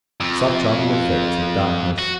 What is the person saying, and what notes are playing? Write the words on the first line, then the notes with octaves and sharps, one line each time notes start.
Such are the effects of darkness.
F2
F#4